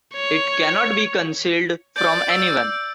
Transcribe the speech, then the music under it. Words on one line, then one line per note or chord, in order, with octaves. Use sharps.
It cannot be concealed from anyone.
C#5
D5 G6
E6 D7